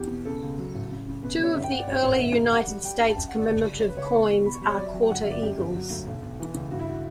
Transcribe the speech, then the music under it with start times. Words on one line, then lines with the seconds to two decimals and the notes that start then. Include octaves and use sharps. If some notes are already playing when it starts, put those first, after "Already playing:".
Two of the Early United States commemorative coins are Quarter eagles.
Already playing: E2 G4
0.10 B2
0.25 C#3 A4
0.43 C#2
0.58 F#3
0.75 A1
0.90 C#3
1.07 C#3
1.22 B2 B4
1.39 G3 C#5
1.55 G1 E5
1.64 G5
1.71 G1 F#5
1.79 D5
1.87 G2 C#5
2.03 A1 C#5
2.12 F#5
2.19 D2 E5
2.36 G3
2.51 G3 F#5
2.67 G3
2.83 G3 G5
3.00 G2
3.09 A5
3.16 F#2 G5
3.27 F#5
3.33 G1
3.38 D5
3.49 C#2
3.64 G3
3.80 C#2 C#5
3.88 B4
3.97 C#2 C#5
4.04 B5
4.14 E2 C#6
4.29 E2
4.45 B2 B5
4.54 C#6
4.61 G3 B5
4.69 C#5
4.78 F#3 D5
4.85 E5
4.93 F#3
5.02 G5
5.09 G1 F#5
5.21 E5
5.26 G1
5.31 D5
5.42 F#2 G4
5.58 G1
5.75 F#3 F#4
5.90 D2
6.06 B1
6.22 B1
6.39 E3
6.55 C#2
6.71 G2 F#4
6.79 E4
6.87 F#4